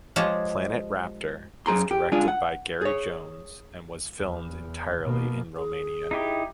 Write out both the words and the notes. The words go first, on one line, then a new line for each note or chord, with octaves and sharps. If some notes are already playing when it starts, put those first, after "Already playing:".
"Planet Raptor" is directed by Gary Jones and was filmed entirely in Romania.
F3 G#3 G4 G#4 C5 C#5
F#2 G#4 A#5 C6
G4
G#3 D4 F4 G#4
F#5
G#4 C#5
E2
B2 A#3
G#4
D#4 E4 G4